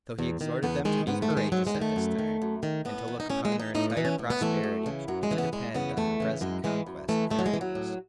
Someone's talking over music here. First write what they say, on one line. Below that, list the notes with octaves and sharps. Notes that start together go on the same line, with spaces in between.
So he exhorted them to be courageous at this time, and to look upon their entire prosperity to depend on the present conquest of their enemies.
E2
D#3
E2 B3
D#3 G#3
G#2 B3
A3
D#3
G#3
G#2 F#3
G#3
D#3
A3
F#2
D#3
F#2
D#3
A2 B3
E3
D#4
A2 C#4
G#3
E3
D#4
A2 D#4
D#4
E3
C#4
A2
B3
E3 A3
F#2
C#3 E3
F#2 F#3
G#3
C#3 E3
B3
E2 G#3
C#3 E3 B3
E2 A3
C#3 E3
F#2 G#3
E3 G#3
F#2
E3 A3
A2 A3
F#3
G#3
E3
F#3
A2